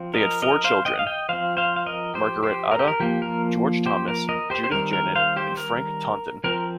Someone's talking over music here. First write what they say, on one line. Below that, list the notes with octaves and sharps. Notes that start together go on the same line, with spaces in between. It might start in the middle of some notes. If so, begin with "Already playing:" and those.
They had four children: Marguerite Ada, George Thomas, Judith Janet, and Frank Taunton.
Already playing: F3 C4
A#4 D#5
A#4 D#5
C5 F5
D#5 G5
F5
D#5 G5
F3 C4 C5 F5
C5 F5
F5
A#4 D#5
G4 C5
G4 C5
A#4
G4
A#4
F3 A#3 G4
A#4
G4 C5
A#4
A#4 D#5
G4 C5
C5
D#3 G3 C4 A#4
A#4
C5 F5
G4 C5
A#4
F3 C4 A#4